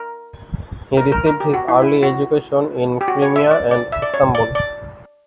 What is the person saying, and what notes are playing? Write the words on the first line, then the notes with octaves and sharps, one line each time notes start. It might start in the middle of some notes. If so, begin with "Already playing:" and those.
He received his early education in Crimea and Istanbul.
Already playing: A#4
A#4
A#4
A#4
G4
F#4
E4
E4
F#4
G4
F#4
C#5
E5
D5
D5
E5
D5
C#5
D5
D5